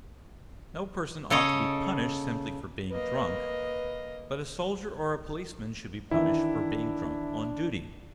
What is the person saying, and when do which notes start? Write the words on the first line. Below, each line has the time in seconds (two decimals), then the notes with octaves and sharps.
No person ought to be punished simply for being drunk; but a soldier or a policeman should be punished for being drunk on duty.
1.30 C#3 A4 C#5 D#5
2.91 A#3 B4 D#5
6.11 D#3 E3 D4 E4 E5